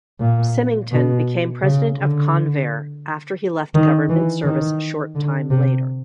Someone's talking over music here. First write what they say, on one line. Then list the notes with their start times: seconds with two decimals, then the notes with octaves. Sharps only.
Symington became president of Convair after he left government service a short time later.
0.20 A#2
0.91 B2
1.62 C#3
1.97 D3
3.74 D#3
4.09 E3
4.45 D#3
5.15 D3
5.51 C3